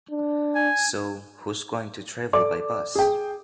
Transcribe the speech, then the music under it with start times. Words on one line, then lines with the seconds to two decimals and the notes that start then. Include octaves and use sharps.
So who’s going to travel by bus?
0.11 D4
0.55 G#5
2.33 A4 D5 D6
2.95 G#4 G5